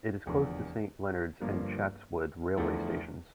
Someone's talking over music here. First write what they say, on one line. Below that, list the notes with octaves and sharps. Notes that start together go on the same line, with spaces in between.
It is close to Saint Leonards and Chatswood railway stations.
F1 E2 D3 F3
G1 G2 F3 A#3
E2 D3 F3 A3 E4